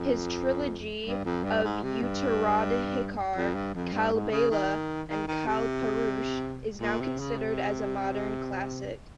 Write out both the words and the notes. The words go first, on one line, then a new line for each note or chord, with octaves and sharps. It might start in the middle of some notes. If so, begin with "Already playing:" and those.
His trilogy of "Uttoradhikar", "Kalbela" and "Kalpurush" is now considered as a modern classic.
Already playing: F2
G2
F2
G2
G#2
C3
G2
F2
G2
F2
G2
G#2
C#3
D#3
D#3
D#3
C3
A#2
C3
C#3
C3